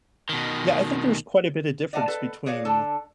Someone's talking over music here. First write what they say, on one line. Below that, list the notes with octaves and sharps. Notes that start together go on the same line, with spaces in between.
Yeah, I think there's quite a bit of difference between,
B2 D#3
D5 D#5 F5 F#5 A5
A4 B4
F#4 G#4 C#5 D5 F5
D3 A4 A5